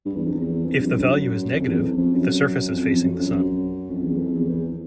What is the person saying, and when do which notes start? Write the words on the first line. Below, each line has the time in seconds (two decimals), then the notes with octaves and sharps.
If the value is negative, the surface is facing the sun.
0.06 G2
0.15 E2
0.26 F2
0.35 E2
0.65 F2
0.80 G2
0.95 F#2
1.54 F2
1.68 E2
1.83 F2
1.97 F2
2.13 F#2
2.71 F2
3.01 F#2
3.10 F2
3.20 F#2
3.31 F#2
3.90 F2
4.04 E2
4.19 F2
4.34 E2
4.49 E2